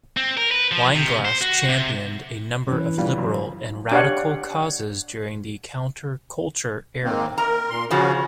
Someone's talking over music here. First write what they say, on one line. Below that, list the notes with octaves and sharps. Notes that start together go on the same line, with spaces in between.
Weinglass championed a number of liberal and radical causes during the counterculture era.
C4
A#4
B4
F3
C3
C5
F#4
C3
E3 C#4
C#3 E3 G3 D4 F4
F#2
D4 G4 C#5 F5 F#5
D#3 A#3 C4
A#4 A#5
A#2 C6
C#3 F3 C#4 F#4